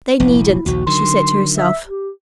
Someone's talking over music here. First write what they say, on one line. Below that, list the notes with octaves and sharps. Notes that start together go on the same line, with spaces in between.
"They needn't," she said to herself.
F1 A#1 E4
A#1 D#2 F#4
D3 D#3 F#3 C6
E5
G4